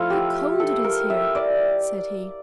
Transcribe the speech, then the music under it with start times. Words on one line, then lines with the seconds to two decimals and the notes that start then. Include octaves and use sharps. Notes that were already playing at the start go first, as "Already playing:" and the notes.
"How cold it is here!" said he.
Already playing: F3 A3 E4 F4 A4
0.10 G4
0.60 A4
0.84 A#4
1.10 E5
1.35 D5